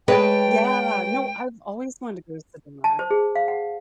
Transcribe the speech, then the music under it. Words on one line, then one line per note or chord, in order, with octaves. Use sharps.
Yeah. No, I've always wanted to go to Sedona.
G#3 B4 C#5 G5 A5
A5
C5
G#4
F5
F#5